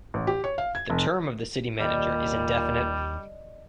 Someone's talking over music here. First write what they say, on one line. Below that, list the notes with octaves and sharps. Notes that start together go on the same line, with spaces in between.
The term of the city manager is indefinite.
A1
G4
C#5
F5
G#6
F1
D#2 A#2 G3 D5 D#5